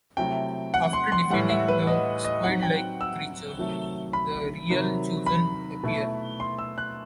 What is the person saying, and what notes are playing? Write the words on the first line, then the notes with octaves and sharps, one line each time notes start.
After defeating the squid-like creature, the real Chosen appear.
C3 F#3 A3 E4 G5
F#5
C6
C6
A2 E3 G3 F#5
E5
B4
D#5
D#5
F#3 C4 D#4 F#5
G5
E6
C3 D#3 F#3 A3
B5
C3 D#3 F#3
B5
B2 A3 E4
C6
E6
F#6